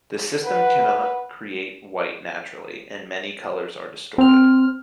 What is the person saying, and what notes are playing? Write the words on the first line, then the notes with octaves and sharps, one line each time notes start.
The system cannot create white naturally, and many colors are distorted.
B4 F#5
C4 F6